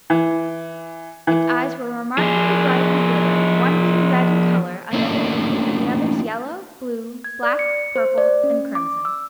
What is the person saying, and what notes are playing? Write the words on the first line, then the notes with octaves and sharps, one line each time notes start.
Its eyes were remarkably bright and glittering, one being red in color, another green, and the others yellow, blue, black, purple and crimson.
E3
E3
F3 G#4
A3 A#3 C#4 D4 E4
G#6
D5
C#7
C5
D5
C#4
D6
E6